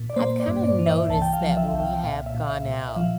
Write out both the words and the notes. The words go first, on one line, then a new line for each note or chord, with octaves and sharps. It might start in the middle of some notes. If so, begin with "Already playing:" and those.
I've kinda noticed that when we have gone out,
Already playing: A#2
D5
A#3 C5
D5
G2
D5
E3
E5
C2 A5
G5
F5
F3
E5
C2 G5
F5
G5
A#2 F5
E5
A#2
E5
A#2
E5
E5
F3 F5